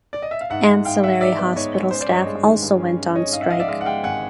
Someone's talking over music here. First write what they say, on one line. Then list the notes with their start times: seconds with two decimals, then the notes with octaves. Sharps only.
Ancillary hospital staff also went on strike.
0.13 D5
0.22 D#5
0.31 E5
0.41 F5
0.50 G#2 E5 F#5
0.67 G#3
0.85 G#2 F5 G5
1.02 G#3 E5 F#5
1.21 G#3 D5 E5
1.39 B3
1.56 G#2 C#5 D#5
1.74 G#3 C#5
1.91 C#4 C5
2.01 C5 D5
2.09 G2 C#5 D#5
2.26 G#3
2.44 D#3
2.62 G2
2.80 C#4
2.98 C#4
3.15 C#4 C#5 D#5
3.32 G#2 D#5 F5
3.41 E5 F#5
3.50 F3 D#5 F5
3.60 D5 E5
3.68 G#3 D#5 F5
3.81 F#5
3.85 G#3 F5 G5
4.03 G#1 F#5 G#5